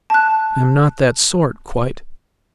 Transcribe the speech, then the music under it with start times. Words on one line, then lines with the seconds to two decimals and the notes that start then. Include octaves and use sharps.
"I am not that sort--quite."
0.10 A5 F#6